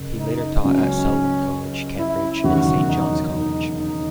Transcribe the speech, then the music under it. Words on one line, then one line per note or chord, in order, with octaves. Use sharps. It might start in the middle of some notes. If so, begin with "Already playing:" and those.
He later taught at Selwyn College, Cambridge and Saint John's College.
Already playing: F#1
D#4
C#2 C#3 F#3 C#4
E4
E1 D#2 C#3 F#3 F#4
D#4
D#4
D#4